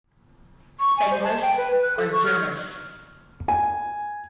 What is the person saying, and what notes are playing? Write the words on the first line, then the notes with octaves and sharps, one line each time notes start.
Spanglish or Germish.
C#6
G#5
C5
A5
G5
B4
F#6
A4
C#6
F6
G#5